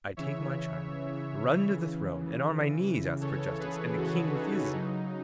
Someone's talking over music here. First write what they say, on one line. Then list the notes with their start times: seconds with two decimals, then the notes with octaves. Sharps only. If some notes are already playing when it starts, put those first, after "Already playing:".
I take my child, run to the throne, and on my knees ask for justice, and the King refuses me.
0.17 C#3 E3 C#5 E5
1.69 C#3 E3
3.21 C#3 E3 A4 C#5
3.59 G#4 B4
3.97 F#4 A4
4.35 D#4 F#4
4.73 C#3 F#3 D#4